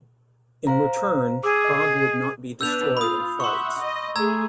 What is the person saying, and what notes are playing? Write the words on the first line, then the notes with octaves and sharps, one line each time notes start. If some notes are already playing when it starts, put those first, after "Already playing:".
In return, Prague would not be destroyed in fights.
C5 F5 A#5
G#4 D6 E6
D#5 C7
B3 D4 B4 E6 G6 F7
F4 B5 D#6
E5 F#5 C6 C#6
D#5
A3 G#4 A#5 E6 G#6